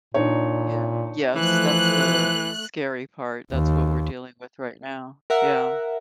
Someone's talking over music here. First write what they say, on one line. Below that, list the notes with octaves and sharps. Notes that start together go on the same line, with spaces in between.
Yeah. Yes, that's the scary part, that's what we're dealing with right now. Yeah.
A#2 D4 D#4 C#5
E3 F3 A3 F#6
D#2
A#4 E5 F#5